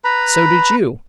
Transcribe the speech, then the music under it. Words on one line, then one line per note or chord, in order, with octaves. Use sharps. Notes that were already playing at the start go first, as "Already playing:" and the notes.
So did you.
B4 A#5 B5